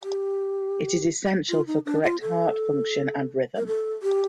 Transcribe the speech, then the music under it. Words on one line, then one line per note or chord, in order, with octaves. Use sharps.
It is essential for correct heart function and rhythm.
G4
F4
D#4
D4
F4
A4
A#4
A4
G4